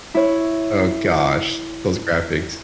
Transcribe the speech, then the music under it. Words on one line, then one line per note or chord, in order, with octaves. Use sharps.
Oh gosh, those graphics.
E4 C#5